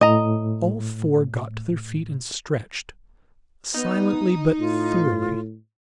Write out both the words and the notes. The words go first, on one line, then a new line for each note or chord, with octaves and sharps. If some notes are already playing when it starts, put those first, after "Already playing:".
All four got to their feet and stretched, silently but thoroughly.
A2 D#5 A#5
B3 D#4
A2 F4